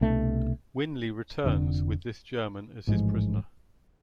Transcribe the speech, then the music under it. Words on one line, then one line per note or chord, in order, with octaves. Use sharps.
Winley returns with this German as his prisoner.
C2 B2 A3 D4
F1 F2 D3
A1 G#2 F3 G#3